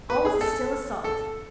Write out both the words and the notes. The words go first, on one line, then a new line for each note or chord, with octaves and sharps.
All was as still as salt.
B4
G#4
A4
A4